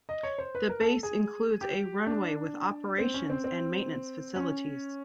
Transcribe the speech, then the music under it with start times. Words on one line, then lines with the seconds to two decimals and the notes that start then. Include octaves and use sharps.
The base includes a runway with operations and maintenance facilities.
0.09 D#5
0.23 C#5
0.38 C5
0.55 B4
0.69 A#4
0.81 A4
1.03 G#4
1.61 G4
2.07 D4
2.98 C4
3.14 C#4
3.30 C4
3.44 C4
4.36 C#4